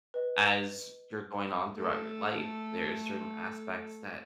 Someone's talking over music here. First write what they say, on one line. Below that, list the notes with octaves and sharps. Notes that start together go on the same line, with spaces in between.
as you're going on throughout your life, there are certain aspects that
B4 D#5
A3 A4